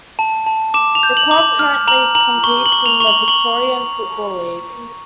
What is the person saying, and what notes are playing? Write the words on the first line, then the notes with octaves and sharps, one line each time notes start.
The club currently competes in the Victorian Football League.
A5
A5
D6 E7
F7
G6
F#7
D6
F#7
F6
A#5 F#7
A#5 F#7
C#6 G7
F#7
C#6
F7
C#6 F7
F#7
C#6 F#7